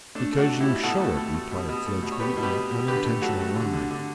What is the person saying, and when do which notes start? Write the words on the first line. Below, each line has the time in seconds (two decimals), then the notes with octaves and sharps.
'Because you show it,' replied Fledgeby in unintentional rhyme.
0.15 A3 D4
0.33 A3
0.38 D4 F#4
0.50 A3
0.60 E4 G4
0.66 B2
0.83 B2 F#4 A4
1.00 A3
1.17 A3
1.35 A3
1.51 B2
1.69 B2
1.86 A3
2.03 B2
2.12 C#5
2.20 A3 G4 B4
2.37 B2
2.43 G4 B4
2.54 B2
2.71 B2
2.88 D3 G4 B4
3.05 A3
3.22 F#3 F#4 A4
3.39 A3
3.56 D3
3.73 D3
3.91 D3